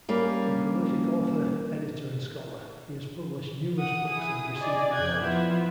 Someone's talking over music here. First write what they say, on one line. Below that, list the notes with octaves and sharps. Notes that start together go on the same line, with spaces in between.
A prolific author, editor, and scholar, he has published numerous books and received awards.
G3 A#3 C#4
F#5 D#6
E4 G#4 D#6
G#4 D5 D#5
F2 G5 F#6 G#6
F3 B3 E4 F4